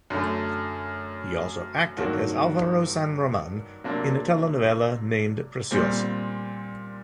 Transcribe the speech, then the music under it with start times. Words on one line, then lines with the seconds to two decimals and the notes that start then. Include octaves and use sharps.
He also acted as Alvaro San Roman in a telenovela named "Preciosa".
0.10 F#2 D3 A3
1.97 G2 D#3 F#3 A#3 F#4
3.84 C3 F#3 A#3 D4
5.71 A#2 G3 C4